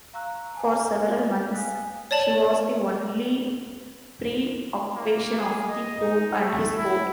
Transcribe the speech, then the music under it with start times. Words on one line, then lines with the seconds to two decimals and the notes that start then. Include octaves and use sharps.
For several months, she was the only preoccupation of the Pope and his court.
0.13 F5 A#5 C#6 E6 F#6
0.55 G#5 A5
1.53 F5 G#5 D#6 F#6 B6
2.11 C#5 D5 A5 F#7
4.96 A#3
5.38 G#4
5.67 D#5
6.00 D#4
6.39 A3
6.76 E4